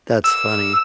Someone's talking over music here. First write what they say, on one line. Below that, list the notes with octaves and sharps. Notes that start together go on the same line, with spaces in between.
That's funny.
E6